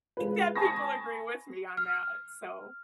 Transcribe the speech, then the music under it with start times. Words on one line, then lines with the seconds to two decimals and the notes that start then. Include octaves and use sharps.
that people agree with me on that, so
0.17 G#3 F4 B4
0.56 G#5 A5 B5 C#6 D#6 A#6
1.77 F6